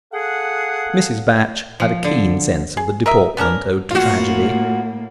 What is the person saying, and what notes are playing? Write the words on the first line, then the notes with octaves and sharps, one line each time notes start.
Mrs. Batch had a keen sense of the deportment owed to tragedy.
G#4 A4 F5 F#5
F3
D3
G#4
A#4 D#5 E5
B3 C#4 D4 A#4
A2 A#3 F4 F#4